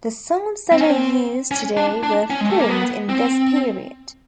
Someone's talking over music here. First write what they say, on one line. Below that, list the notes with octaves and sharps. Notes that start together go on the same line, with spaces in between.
The sounds that are used today were formed in this period.
C4
C#4
C4
C#4
D4
D4
C#4
G#3
A3
A#3
B3
C4